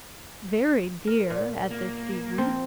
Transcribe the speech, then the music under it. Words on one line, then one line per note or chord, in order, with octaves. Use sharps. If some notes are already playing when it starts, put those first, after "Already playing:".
"Very dear at this season."
A#4
A#2
A#3
F3 C4